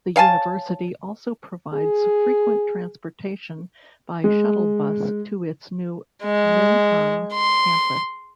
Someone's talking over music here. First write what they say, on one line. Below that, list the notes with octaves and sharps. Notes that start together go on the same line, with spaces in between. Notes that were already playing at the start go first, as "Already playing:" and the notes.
The University also provides frequent transportation by shuttle bus to its new Minhang Campus.
C#5 F5 G#5 A5
G#4
G#3
G#3
C6